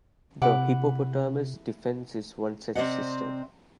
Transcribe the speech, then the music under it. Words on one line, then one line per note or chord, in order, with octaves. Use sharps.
The Hippopotamus Defence is one such system.
C3 E4 F#5 D6
C3 C4 A4 D5 D#5 F#5